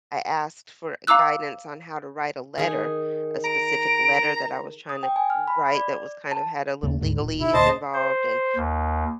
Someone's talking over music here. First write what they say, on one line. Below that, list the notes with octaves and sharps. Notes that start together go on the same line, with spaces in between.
I asked for, uh, guidance on how to write a letter, a specific letter that I was trying to wr write that was kind of had a little legalese involved, and
F5 A#5 D6 E6 F#6
D#3 G#4
A#5 D7
D#6
G5
G#5
F6
B5
D5
A5
D#2 C#3 A3
D2 G#2 D3
D1 A#2
B2 E4
D2 A#2 C5 D#5 A5
C5
D#2